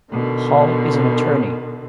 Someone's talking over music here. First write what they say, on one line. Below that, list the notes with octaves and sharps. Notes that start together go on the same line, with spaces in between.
Hall is an attorney.
B2 D3 D#3